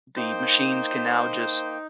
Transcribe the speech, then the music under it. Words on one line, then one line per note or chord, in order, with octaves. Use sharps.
the machines can now just
A#3 D#4 C5 G5